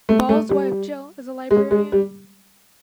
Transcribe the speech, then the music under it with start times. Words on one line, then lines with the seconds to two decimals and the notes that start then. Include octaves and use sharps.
Ball's wife Jill is a librarian.
0.09 A3
0.29 A3
0.49 G3
1.51 G#3
1.71 G#3
1.92 G3